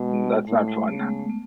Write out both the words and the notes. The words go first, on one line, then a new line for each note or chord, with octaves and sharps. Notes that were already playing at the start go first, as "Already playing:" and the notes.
that's not fun.
Already playing: B2 G#3
A2 A3
A3
G#3
A3
C#3 B3
A3
G#3
A3
B3